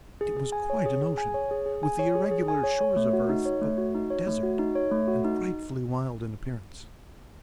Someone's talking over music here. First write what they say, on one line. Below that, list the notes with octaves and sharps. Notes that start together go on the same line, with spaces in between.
It was quite an ocean, with the irregular shores of earth, but desert and frightfully wild in appearance.
G#4
G#4
G#5
C#5
G#4
G#4
G#5
C#5
G#4
G#4
G#5
C#5
G#4
G#4
G#5
C#5
C#5
A3
F#4
D#4
C#5
A3
F#4
D#4
C#5
A3
F#4
D#4
C#5
A3
F#4
D#4